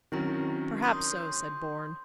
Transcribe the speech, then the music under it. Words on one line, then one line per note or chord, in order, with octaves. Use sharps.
"Perhaps so," said Bourne.
D#3 F#3 C4 C#4 E4 A#5
C6 D#6 G6